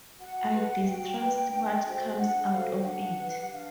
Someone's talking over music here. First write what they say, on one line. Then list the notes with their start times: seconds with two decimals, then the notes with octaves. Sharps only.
I distrust what comes out of it.
0.19 F#4 F#5
0.52 B4
0.86 F#4 G5
1.20 B4
1.52 D4
1.86 F#4 A4 C5
2.18 D4 F#5
2.52 F#4 A4 C5 F5
2.79 G5
2.85 D4 F#5
3.18 G4 B4
3.52 D4 F5